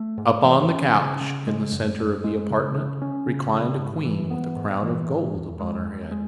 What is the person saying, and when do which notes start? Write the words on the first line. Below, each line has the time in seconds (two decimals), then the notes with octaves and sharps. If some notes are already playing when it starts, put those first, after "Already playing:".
Upon the couch in the centre of the apartment reclined a queen with a crown of gold upon her head.
Already playing: A3
0.18 G#2
0.43 E3
0.69 C#4
0.95 C#3
1.21 C#3
1.47 G#3
1.72 F#2
1.98 F#2
2.24 G#3
2.50 C#3
2.75 C#3
3.02 C#4
3.27 C#3
3.53 C#3
3.79 G#2
4.05 E3
4.30 B3
4.56 G#2
4.82 E3
5.08 G#2
5.34 E2
5.59 G#3
5.85 E2
6.11 G#3